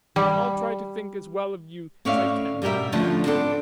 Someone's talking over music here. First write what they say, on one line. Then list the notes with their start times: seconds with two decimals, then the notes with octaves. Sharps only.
I'll try to think as well of you as I can.
0.16 G3
2.05 A2 C#4 C#5 D5 E5 F5
2.62 B2 G3 G4 A#4 E5
2.92 D3 F3 A3 C#4 D4
3.25 B3 C4 D4 A4